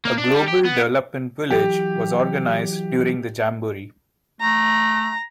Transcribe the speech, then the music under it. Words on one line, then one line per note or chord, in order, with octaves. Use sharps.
A Global Development Village was organized during the jamboree.
A#3
D4
G3
G4
B3
E3 F#3 G4
A3 A#5